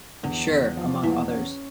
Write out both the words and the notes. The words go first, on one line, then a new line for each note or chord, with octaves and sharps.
Sure!, among others.
E2 D3
E2
F3
E2 E3
C#4